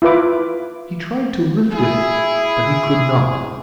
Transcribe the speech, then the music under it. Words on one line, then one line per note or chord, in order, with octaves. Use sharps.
He tried to lift it, but he could not.
E4 F4 B4 D6
E4 G#4